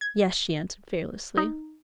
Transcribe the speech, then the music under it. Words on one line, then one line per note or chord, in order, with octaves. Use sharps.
"Yes," she answered fearlessly.
G#6
D#4